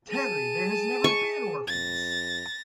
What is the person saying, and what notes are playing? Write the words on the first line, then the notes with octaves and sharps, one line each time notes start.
Terry, there has never been orphans!
G#4 A5 D#7
C#6
F2 A6 A#6